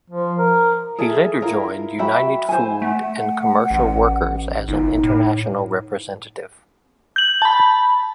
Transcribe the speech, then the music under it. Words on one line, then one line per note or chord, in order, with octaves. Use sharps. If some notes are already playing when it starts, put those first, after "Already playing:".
He later joined the United Food and Commercial Workers as an international representative.
F3
A#4
G#4 A4 E5
E4 F4 A#4
F#4 E5 G5 B5
C5 G#5
A3 F#5
A1
G1 D#4
A2
G6 F#7
A5 B5